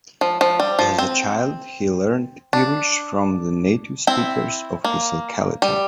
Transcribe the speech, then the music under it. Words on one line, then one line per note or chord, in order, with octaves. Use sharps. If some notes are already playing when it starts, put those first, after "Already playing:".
As a child, he learnt Irish from the native speakers of his locality.
F3
F3
G3
F3
C4
D4
C4 E4
A#3
G3